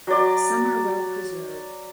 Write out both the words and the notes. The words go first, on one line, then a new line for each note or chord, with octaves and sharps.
Some are well preserved.
F#3 D5